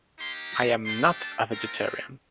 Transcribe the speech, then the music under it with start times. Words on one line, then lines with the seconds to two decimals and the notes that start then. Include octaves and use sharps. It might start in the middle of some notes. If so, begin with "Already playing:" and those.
I am not a vegetarian.
0.19 A#3 D#4 G4 C6
0.52 A#5
0.85 A3 D4 G4 C6
1.18 A5
1.51 A3 C4 F4 A#4